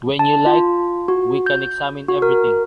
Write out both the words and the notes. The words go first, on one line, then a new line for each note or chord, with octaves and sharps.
When you like, we can examine everything.
A5
F4
F#4
G6
F#4
A#4